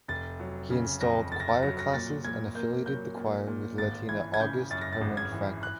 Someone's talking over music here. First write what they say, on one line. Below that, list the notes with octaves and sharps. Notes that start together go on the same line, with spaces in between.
He installed choir classes and affiliated the choir with Latina August Hermann Francke.
F1 A6
F#3
C#3
F2 A#6
F1 A6
A#6
A6
F#3 A#6
A#6
A#2 A6
A#2 G#6
A#3 G6
F#3 G6
A#2
A#2
G#1 A6
E3 G#6
G#6
C#3 G6
F#2 A6
A#6
A6
G#1
G#6
E3
F#6